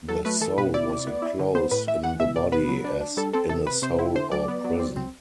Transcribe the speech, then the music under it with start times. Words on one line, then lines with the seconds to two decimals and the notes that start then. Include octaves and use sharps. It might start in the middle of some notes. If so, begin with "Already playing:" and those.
The soul was enclosed in the body as in a soul or prison.
0.08 F#3 A4
0.25 A3 B4
0.41 E3 A4
0.58 B2 B4
0.74 E4 D5
0.90 C3
1.07 B3
1.22 E4
1.39 D3
1.55 B3 C5
1.71 A2 B4
1.87 E3 E5
2.04 E3 F#5
2.20 B2 E5
2.36 B2 D5
2.52 B3 B4
2.69 F#3
2.84 D4
3.01 D4
3.17 G3 A4
3.33 C4 A4
3.49 C3 A4
3.66 C3 B4
3.82 C3 C5
3.99 E4
4.14 D3 C5
4.32 F#3 D5
4.48 B3
4.64 F#3
4.80 C4
4.97 C4